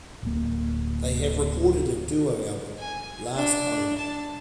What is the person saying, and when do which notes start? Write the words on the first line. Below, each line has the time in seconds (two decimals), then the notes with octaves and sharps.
They have recorded a duo album, "Last Home".
0.23 D1 A#3
2.79 G#5
3.35 D4
3.98 A5